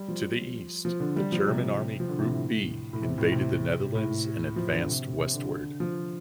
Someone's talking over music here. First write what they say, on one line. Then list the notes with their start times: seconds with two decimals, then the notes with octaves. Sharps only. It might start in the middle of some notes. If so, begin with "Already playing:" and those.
To the east, the German Army Group B invaded the Netherlands and advanced westward.
Already playing: G3
0.08 F3
0.85 F3
1.00 D3
1.16 G3
1.32 F3
1.47 C3
2.00 F3
2.09 D3
2.19 C3
2.29 A2
2.93 A2
3.02 C3
3.18 A2
3.32 C3
3.95 A2
4.56 F3
4.72 D3
4.88 C3
5.19 C3
5.34 D3
5.80 F3